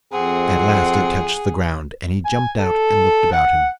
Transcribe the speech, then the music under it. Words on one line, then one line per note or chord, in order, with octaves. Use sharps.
At last it touched the ground and he jumped out and looked about him.
F2 C4 G#4 F#5
G#5
A4
F#5